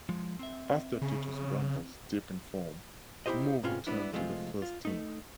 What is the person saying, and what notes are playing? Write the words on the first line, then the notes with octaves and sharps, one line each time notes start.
After Titus Bramble's dip in form, Moore returned to the first team.
F3 G#3
C4 E5
C#3
D#4 E4 F#4 G4 C5 D#5
G#2 C3 B3 C#4 F4
G3 B3 D4 E4
C2 F3 G#3 A3 C4 F4
F4
A3 D#4